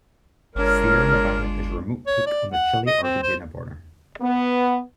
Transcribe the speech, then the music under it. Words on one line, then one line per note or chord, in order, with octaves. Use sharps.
Sierra Nevada is a remote peak on the Chile-Argentina border.
G1 G#3 D4 F4 A#4 C#5 F6
C#5
D5
F#5
D#5
C4
C5
B3